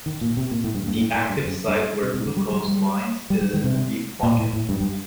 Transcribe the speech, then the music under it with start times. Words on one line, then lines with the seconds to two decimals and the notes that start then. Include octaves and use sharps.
The active site where glucose binds is in a deep pocket.
0.06 D#3
0.21 A#2
0.37 C3
0.51 A#2
0.64 A2
0.75 G2
0.87 G2
0.98 A2
1.14 A2
1.29 G2
1.45 F#2
1.68 G2
2.03 C3
2.14 C3
2.26 D3
2.37 G3
2.53 G3
2.68 G3
3.30 G3
3.42 G3
3.53 D#3
3.64 C3
4.23 A#2
4.38 A2
4.53 A2
4.69 G2
4.81 G2